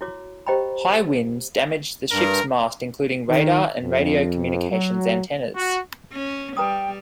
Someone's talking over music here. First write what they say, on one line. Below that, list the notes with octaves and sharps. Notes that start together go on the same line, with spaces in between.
High winds damaged the ship's mast including radar and radio communications antennas.
E4 F#4 C#5 D6
G4 C5 D#5 G5 A#5 B5
G2 A#4
D#3
F2
F#3
F#4
C#4
G3 B4 G5 A#5 D#6